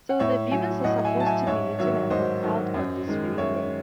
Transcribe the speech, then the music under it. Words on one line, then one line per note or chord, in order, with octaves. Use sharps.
So the Vedas were supposed to be written and compiled on this very land.
F#5
A2 C#5 E5
F#3 E5 G#5
A2 D#5 F#5
E5 G#5
F#3 A5
E5 G#5
G#2 C#5 E5
D#3 F#3 C#5 E5
G#2 C5 D#5
D#3 F#3
F#2
D#3 G#3
F#2 C#5 E5